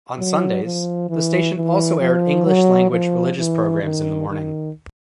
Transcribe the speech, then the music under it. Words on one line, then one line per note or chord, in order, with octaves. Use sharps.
On Sundays, the station also aired English-language religious programs in the morning.
F#3
F3
E3
E3
F3
F#3
F3
E3
D#3
D#3